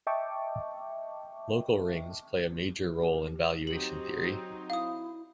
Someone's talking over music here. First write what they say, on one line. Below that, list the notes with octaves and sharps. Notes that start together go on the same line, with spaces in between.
Local rings play a major role in valuation theory.
D#5 E5 G5 A5 C#6 D6
G4
F#3 C4 D#4 G4 F#7
E4 F5 D#6